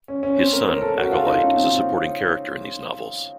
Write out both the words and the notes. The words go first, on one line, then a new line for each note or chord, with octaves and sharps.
His son, Acolyte, is a supporting character in these novels.
C#4
C#4
C4
A#4
A#4
A4
F#4
F4
D#4
C#4
C4